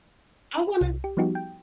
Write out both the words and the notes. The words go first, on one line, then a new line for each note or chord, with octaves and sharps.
I wanna
C2
G4
F3 G3 B3 D#4 F#4 G4
G5